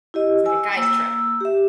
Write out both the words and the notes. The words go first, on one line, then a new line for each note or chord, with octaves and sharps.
It's like a guys' trip.
E4 G4 D#5
G#5 E6
A#3 E6
G4 E5